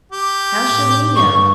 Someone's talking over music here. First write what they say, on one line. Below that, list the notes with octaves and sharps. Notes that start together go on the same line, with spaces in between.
'How should he know?
G4
A2
G2 C#6